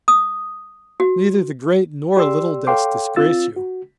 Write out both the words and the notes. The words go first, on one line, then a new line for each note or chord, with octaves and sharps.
Neither the great nor little debts disgrace you.
D#6
F#4
G4 D5 C6 E6
A4 C#5 F5 G5 C6 D6
C4 F4 E6 A6
F#4